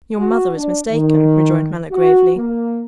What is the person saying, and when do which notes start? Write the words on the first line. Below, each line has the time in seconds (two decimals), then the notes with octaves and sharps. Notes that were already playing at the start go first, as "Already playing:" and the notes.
"Your mother is mistaken," rejoined Mallow gravely.
0.18 F#4
0.54 D4
0.91 D#3
1.91 F#4
2.37 A#3